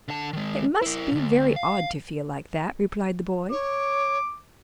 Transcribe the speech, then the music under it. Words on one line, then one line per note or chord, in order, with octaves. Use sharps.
'It must be very odd to feel like that,' replied the boy.
D3 A5
D#3 G#3
E4 A#4
D2 B2
F5
C#5 D6